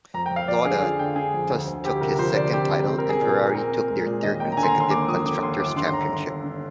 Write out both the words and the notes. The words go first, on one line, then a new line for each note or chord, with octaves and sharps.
Lauda thus took his second title, and Ferrari took their third consecutive Constructor's Championship.
F2 A#5
G5
F2
F5
F2 D5
D3 G#4
F3 F5
D3 G5
D3 G#4
F2
D2
D2
D2 G4
C3 A#4
F3 C5
D2 D5
C4 G4
C3 G4
C4
A#4
C4
G#4
A#2
A#2
C4 A#4
C4
G#3
A#2
D#2 D#5
A#3 G5
A#5
D3 G#5
C6
A#5
D#2
C6
A#3 D6
F3 D#6
D3 D6
D#2 C6
G1 D6
D3 C6
C6
G1 A#5
G1
G1
D3